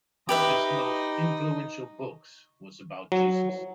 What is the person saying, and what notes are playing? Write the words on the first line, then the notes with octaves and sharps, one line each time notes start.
One of his most influential books was about Jesus.
D#4 G4 B4 D#5 E5
F#3